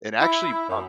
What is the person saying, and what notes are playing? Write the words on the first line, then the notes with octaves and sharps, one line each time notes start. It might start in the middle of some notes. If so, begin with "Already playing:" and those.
And, actually, um
E4
F#2